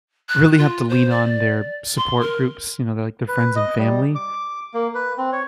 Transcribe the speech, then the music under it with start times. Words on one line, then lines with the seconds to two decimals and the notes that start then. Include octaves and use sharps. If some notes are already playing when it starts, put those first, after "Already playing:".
really have to lean on their support groups, you know, their, like, their friends and family.
0.29 F#6
0.57 F4
0.89 C5
1.10 D5
1.97 C6
2.21 A#4
3.28 B4
3.56 D#5
3.78 G3
4.15 D6
4.74 A#3
4.95 B4
5.18 C4
5.33 C#5